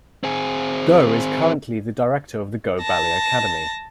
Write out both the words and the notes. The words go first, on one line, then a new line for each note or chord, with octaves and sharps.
Goh is currently the director of the Goh Ballet Academy.
C4 G#4
A5 A#6